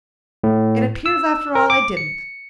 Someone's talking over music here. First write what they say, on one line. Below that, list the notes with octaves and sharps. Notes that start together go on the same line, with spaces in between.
It appears after all I didn't.
A2
E6
A#4
D6
C#7